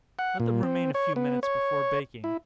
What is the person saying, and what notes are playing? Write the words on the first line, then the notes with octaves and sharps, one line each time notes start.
Let them remain a few minutes before baking.
F#5
A#2
C4
C#5
B3
C#5
E4